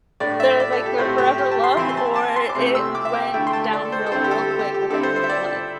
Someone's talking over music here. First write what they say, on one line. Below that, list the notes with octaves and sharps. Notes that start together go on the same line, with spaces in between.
they're, like, their forever love, or it went downhill real quick within a couple months.
A2 A3 D4 D5
E5
D5
A4
G4
A2 A3 C4 E4 C5
G4
G4
A5
C6
E3 C4 E4 C6
C6
A5
A5
C6
D6
C3 A3 C4 E4 C6
E6
D6
E5
G5
D3 A3 E4 G5
C6
A5
D5
A4
C5
A4
D3 G3 C4 E4 C5
G4
A4
A4
G4
G4
D3 G3 C4 E4 A4
C5
C5
E5
D5